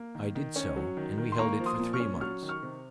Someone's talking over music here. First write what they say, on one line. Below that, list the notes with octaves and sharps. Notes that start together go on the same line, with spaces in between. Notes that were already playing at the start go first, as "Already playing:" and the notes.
I did so, and we held it for three months.
Already playing: A#3
D#3
D#3
C#4
F#3
D#3
D#3
C6
A#3 A#5 C#6
F3
C6 D#6
A#2
C#6 F6
C#4
F#3 C#6 F6
D#3
C#6 F6
C3